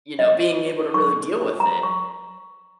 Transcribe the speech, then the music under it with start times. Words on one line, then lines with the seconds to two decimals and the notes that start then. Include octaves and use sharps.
you know, being able to really deal with it?
0.19 D#5
0.94 C#6
1.60 A#5
1.83 C#6